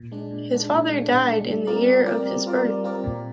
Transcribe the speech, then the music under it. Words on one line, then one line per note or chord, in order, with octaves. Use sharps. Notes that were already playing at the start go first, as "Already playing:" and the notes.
His father died in the year of his birth.
Already playing: A#2
G#3 D4
A#2
G#3 D4
A#2
G#3 D4
A#2
G#3 D4
G3
C4 F4 A#4 D5
G3
C4 F4 A#4 D5
G3
C4 F4 A#4 D5
G3
C4 F4 A#4 D5
A#2